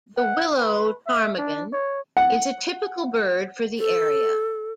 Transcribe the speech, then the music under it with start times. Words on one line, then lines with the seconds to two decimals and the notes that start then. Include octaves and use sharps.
The willow ptarmigan is a typical bird for the area.
0.17 F#5
0.59 B4
1.06 E5
1.38 D4
1.72 C#5
2.17 F#5
3.78 A4